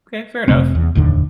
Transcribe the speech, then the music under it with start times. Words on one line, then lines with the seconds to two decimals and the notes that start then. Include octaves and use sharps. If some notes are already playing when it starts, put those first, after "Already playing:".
Okay. Fair enough.
0.48 F1 C3 A3 C4
0.75 E2
0.95 F1 D#2 A2 D3